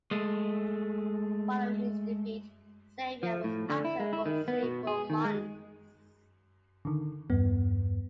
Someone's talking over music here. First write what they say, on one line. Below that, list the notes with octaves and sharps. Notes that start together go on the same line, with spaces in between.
Following his defeat, Xavier was absent for several months.
G#3 A3
F3
A2
D3
E4
G#3
E4
D#3
B3
B2
G#4
D#3
G#3
D3 D#3
E2 G2 B3